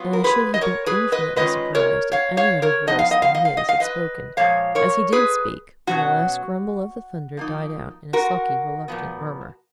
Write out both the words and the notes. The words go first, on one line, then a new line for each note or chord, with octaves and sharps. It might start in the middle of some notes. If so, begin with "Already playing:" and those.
And I should have been infinitely surprised if any other voice than his had spoken--as he did speak when the last grumble of the thunder died out in a sulky, reluctant murmur.
Already playing: F#3 B3 F4
A#4
G#4 B4
D#5
A#4 C#5
G#4 B4
B4 D#5
D#3 G#3 C#4 F4 B4 D#5
A#4 C#5
C#5 F5
C#5 F5
A#4 C#5
F3 B3 D#4 D#5
F5
D#5
F5
D#5
F5
D#5
F5
B4 D#5
A#2 F3 G#3 C#5 F5
A#4 C#5
G#4 B4
B2 F#3 C#4 F#4
F3 A#3 D#4
F#4 A#4
A#2 F3 B3